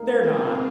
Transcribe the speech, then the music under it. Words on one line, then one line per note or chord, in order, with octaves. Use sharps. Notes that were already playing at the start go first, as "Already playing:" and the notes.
They're not.
Already playing: A#3 D#4
G#3 C4 F4